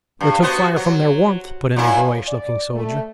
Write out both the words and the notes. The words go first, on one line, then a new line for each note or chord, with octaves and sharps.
"Or took fire from their warmth," put in a boyish looking soldier.
G2
B3 F#4 C5
F#3
A#2 F#3 E4
D5
A3